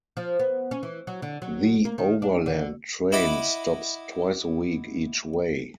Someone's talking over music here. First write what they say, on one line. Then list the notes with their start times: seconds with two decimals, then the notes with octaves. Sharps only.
"The Overland" train stops twice a week each way.
0.17 F3
0.39 B3
0.71 C#4
0.83 E3
1.07 F#3
1.22 D3
1.42 F#3
1.85 A#3
1.98 D#3
2.22 D4
2.46 D3
3.12 E4 D#5 F#5 B5 D6